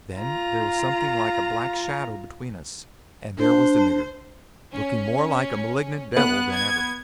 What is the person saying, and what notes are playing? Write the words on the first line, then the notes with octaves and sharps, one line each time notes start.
Then there was something like a black shadow between us, and there was the nigger, looking more like a malignant devil than ever.
F4 A#5
D4 C5
C#4
B3 F#6
G#6